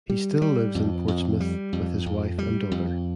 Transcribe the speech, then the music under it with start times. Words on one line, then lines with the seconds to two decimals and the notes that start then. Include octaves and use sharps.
He still lives in Portsmouth with his wife and daughter.
0.10 G3
0.42 G3
0.75 F2
1.08 F2
1.40 G3
1.73 F2
2.06 F2
2.38 G3
2.72 F2